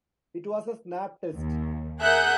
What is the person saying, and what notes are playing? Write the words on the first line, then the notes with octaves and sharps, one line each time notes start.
It was a snap test.
D#2
G#4 A#4 E5 F#5 F#6 G6